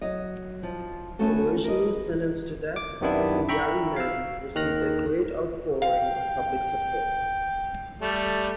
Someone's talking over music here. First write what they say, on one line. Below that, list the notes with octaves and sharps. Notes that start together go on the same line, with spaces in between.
Originally sentenced to death, the young men received a great outpouring of public support.
F#3 D#5
F3
A3 B3 C#4 F#4 A4
A#4 B4 D#5
D6
F#2 C3 D#3 B3 D4 E4
E5 G5 A#5 B5 C#6
F5 E6
D#2 D#3 F6 F#6 A#6
F5 G5
G3 A3